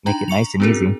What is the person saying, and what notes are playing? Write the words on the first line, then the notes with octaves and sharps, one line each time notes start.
make it nice and easy."
D4 D#4 G5 A#5 F#7
A#5 C#6 C#7 F7
B3 C4 D4 F#4 G#4 A#4